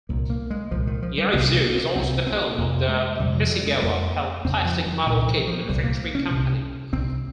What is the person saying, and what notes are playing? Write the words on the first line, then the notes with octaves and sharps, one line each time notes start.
Yaizu is also the home of the Hasegawa plastic model kit manufacturing company.
C2 A#2 A#3
A#3
G#3
C2 A#2 F3
D#3
F3
G3
C2 C3 A#3
A#3
C4
C2 C3 C4
C4
F2 C3 A#3
G#3
F2 C3 G3
F3
G3
G#3
G#3
F2 C#3 A#3
F2 C#3 C4
F3
F3
C2 A#2 D#3
F3
F3
C2 A#2 G3
A#3
C#4
C2 C3
C2 C3 C4